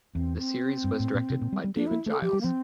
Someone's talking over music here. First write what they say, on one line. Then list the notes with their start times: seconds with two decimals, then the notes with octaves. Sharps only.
The series was directed by David Giles.
0.15 E2 C4
0.38 C4
0.84 G2
1.00 A2
1.14 A#2
1.30 C3
1.41 A#2
1.52 G3
1.64 G3
1.75 A#3 D4
1.87 A#3 E4
2.06 A3
2.10 A4
2.22 F3 G4
2.33 G3
2.41 A#3
2.44 F3 C4